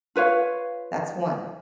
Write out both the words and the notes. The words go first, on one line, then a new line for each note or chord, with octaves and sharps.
that's one.
F4 B4 C#5 F5